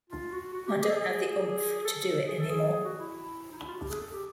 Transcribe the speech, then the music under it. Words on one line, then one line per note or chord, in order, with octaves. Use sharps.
I don't have the oomph to do it any more.
F4
F#4
F#4
G4
G#4
A4
G#4
A4
G#4
A4
G#4
G#4
F#4
E4
D#4
E4
F4
F#4
G4
G#4
A4
G4